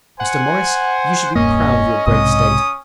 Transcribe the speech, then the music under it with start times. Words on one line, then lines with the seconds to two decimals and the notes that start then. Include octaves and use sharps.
Mr. Morris, you should be proud of your great state.
0.20 C5 F#5 G#5
1.35 E1 G2 A#3 C#4 D#5
2.07 B1 G#2 C3 C#4 D#6